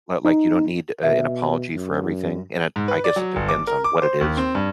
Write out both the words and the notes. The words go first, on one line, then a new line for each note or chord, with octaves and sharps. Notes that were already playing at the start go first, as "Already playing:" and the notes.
Li like, you don't need, eh, an apology for everything? And it I guess it depends on what it is.
D#4
B2 E5
F#2
G#2
B4
D5
F#3
G1
D6
A#4
D6
C5
D#2
C4
G2